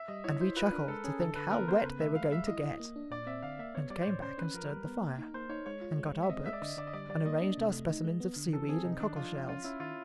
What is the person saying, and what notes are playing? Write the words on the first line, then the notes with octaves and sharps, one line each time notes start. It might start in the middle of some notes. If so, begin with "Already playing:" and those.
And we chuckled to think how wet they were going to get, and came back and stirred the fire, and got our books, and arranged our specimens of seaweed and cockle shells.
Already playing: E5
G3 D#5
E4 C#5
E4 C5
F4 B4
D4 A#4
G#3 A4
C#4 G#4
D3 A4
D3 B4
B3 A#4
B3 C5
C#3 B4
A3 E5
G#3 F5
G#3 E5
E4 D#5
E4
A#3
D4
A#2 D5
C4 E5
D3 F5
A#3 E5
B3 C#5
G3 D5
C5
A2 C#5
C#4 C5
C#4 B4
F3 A#4
G3
B3
A#3
D#4
A#3 C5
D#4 C#5
G#3 C#5
F4
G#3
G#3
E5
C4 D#5
G#3 E5
D5
D3 D#5
D3 D5
D#5
G3 D5
G3 D5
A#3 D#5
D4
C3
A3
D#4
G#3
B3
D3
E3 A4
C4 G#4
C3 D#4
D#3 D4
F3 F4
F3
C#4 F4
C#4 E4
D#3 F4